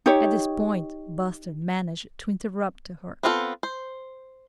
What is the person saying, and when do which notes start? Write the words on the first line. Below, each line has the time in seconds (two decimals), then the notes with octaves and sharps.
At this point Buster managed to interrupt her.
0.06 D#4 G4 C#5
3.23 B3 C4 F4 G#4 A4
3.63 C5